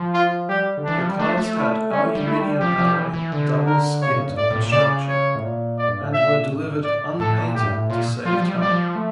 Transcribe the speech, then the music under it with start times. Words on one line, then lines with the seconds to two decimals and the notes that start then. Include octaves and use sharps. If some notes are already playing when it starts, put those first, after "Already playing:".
The cars had an aluminium-alloy double-skinned construction, and were delivered unpainted to save time.
Already playing: F3
0.14 F4
0.49 G3 G4
0.77 D3
0.84 E3 D4
0.98 F3
1.09 G3
1.20 A3 D4
1.37 A3
1.55 E4
1.91 G3 C#4
2.02 A3
2.15 G3
2.26 A3 E4
2.40 G3
2.60 F3 G4
2.78 F3
2.96 E3
3.13 E3
3.32 D3
3.66 A#4
4.02 C#3 C#5
4.10 A#2
4.16 C#3
4.29 G2
4.37 A2 D5
4.51 A2
4.62 A#2
4.72 C#3 D5
5.08 C#5
5.35 A2
5.43 A#2
5.78 D5
5.88 G2
6.01 A2
6.13 A#2 E5
6.49 A2
6.67 G2
6.84 A2 D5
6.96 C#3
7.08 A2
7.14 G2
7.20 A2 A4
7.38 A#2
7.54 A2 G4
7.65 G2
7.72 A2
7.90 A#2 F4
8.25 F3 F4
8.33 G3
8.40 F3
8.48 G3
8.56 F3
8.61 G3 D5
8.71 F3
8.96 A3